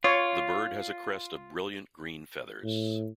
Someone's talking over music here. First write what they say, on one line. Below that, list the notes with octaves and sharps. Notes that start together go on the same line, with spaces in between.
The bird has a crest of brilliant green feathers.
F4 C#5
A2